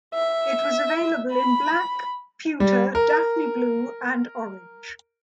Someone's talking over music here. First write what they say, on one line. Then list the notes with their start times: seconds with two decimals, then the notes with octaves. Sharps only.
It was available in Black, Pewter, Daphne Blue and Orange.
0.14 E5
1.32 B5
2.60 G3
2.95 A#4